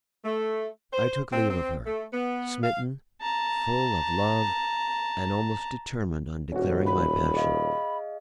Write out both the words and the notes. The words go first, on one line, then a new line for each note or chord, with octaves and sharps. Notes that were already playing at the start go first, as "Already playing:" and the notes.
I took leave of her, smitten, full of love, and almost determined on declaring my passion.
A3
C5
C4
C4
A3
B3
F5
A5 A#5
D#1 C#4 F#4
B5
G#4 D#5 F5